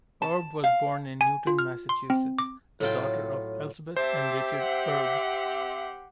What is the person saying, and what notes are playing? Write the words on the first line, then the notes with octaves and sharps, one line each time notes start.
Erbe was born in Newton, Massachusetts, the daughter of Elsbeth and Richard Erbe.
A5
F5
G#5
F4
F6
C6
C4
D6
A2 F#3 F4 G5
C4 G4 C5 E5 A5
F#5 C6